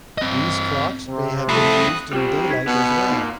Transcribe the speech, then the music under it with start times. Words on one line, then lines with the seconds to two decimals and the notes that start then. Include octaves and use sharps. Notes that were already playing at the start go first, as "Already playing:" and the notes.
These clocks may have been used in daylight as well.
0.18 C4 D#5
1.07 C3
1.49 F3 A3 C4 E4 D#6 F#6
2.13 G3 C4 F4 G4 E7
2.49 D#4 G#6 B6
2.67 B2 B3
3.11 A#2 D#4